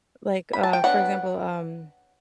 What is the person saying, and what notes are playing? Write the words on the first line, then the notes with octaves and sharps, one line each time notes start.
like, uh, for example, um
B5
A5
G5
F#3 B3 D4 F#5